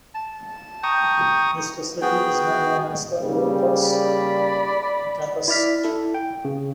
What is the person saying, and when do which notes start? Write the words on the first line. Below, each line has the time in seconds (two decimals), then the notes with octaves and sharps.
This facility is now known as the Lower Bucks Campus.
0.15 A5
0.84 G5 A#5 C#6 D#6
2.02 B3 F#4 G#4 G5
3.19 C#3 G3 A#3
3.87 D5 B5
5.48 E4 D5 F6 B6
5.84 E4 A4
6.14 G5
6.45 C#3